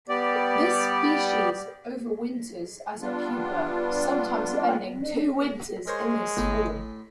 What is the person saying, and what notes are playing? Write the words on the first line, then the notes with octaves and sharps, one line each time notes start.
This species overwinters as a pupa, sometimes spending two winters in this form.
G3 B3 G4 D5
G3 B3 D4 F4
G#3 A#4 C5 C#5
G1 A2 A3